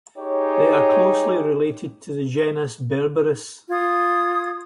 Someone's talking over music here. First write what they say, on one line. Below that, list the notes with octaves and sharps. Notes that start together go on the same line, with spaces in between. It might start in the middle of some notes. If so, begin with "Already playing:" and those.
They are closely related to the genus "Berberis".
D#4 G4 G#4 C#5
F4 D#6 G#6